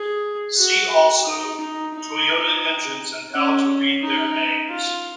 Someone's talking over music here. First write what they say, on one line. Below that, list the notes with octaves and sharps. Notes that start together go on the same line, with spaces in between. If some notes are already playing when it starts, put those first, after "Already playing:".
See also: Toyota engines and how to read their names.
Already playing: G#4
F#4
D#4
D#4
D#4
C#4
D#4
F4